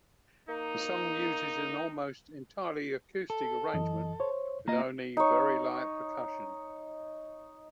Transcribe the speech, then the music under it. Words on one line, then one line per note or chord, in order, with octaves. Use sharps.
The song uses an almost entirely acoustic arrangement with only very light percussion.
A#3 D#4
A4
F#2 E3 D#5
C5 C#5
A#3 F4 D#5 A#5
D#4 C#5